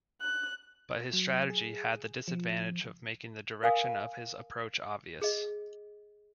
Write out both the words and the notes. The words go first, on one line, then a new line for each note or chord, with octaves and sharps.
But his strategy had the disadvantage of making the direction of his approach obvious.
F#6
F#3
G#4
F3
A#4 F5 G#5 D#6
G#4 D#5